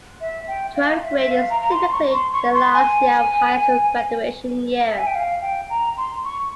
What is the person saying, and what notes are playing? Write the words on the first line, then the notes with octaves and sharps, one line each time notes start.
Twelfth grade is typically the last year of high school; graduation year.
E5
G5
F5
E5
E5
F5
A#5
A#5
C6
C#6
C6
C#6
C6
G#5
E5
G#5
G5
F5
G5
A#5
C6
C#6